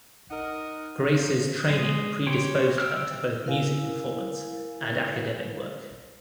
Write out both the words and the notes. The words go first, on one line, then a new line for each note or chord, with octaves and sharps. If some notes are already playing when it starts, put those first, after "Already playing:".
Grace's training predisposed her to both music performance and academic work.
D#4 A#4 D#5 F#5
F3
G#3 D#5
G4 C#5 G5 C6
G5 E6 F6
E4 A#4 F5 G#5